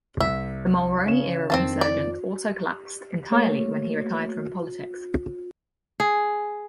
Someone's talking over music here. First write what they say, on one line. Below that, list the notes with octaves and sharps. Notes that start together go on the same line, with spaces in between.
The Mulroney-era resurgence also collapsed entirely when he retired from politics.
C2 E5
C#3 C#5 E7
F2 D#3 C4 F4 A5
D5
A3 A#3 C#5
G#4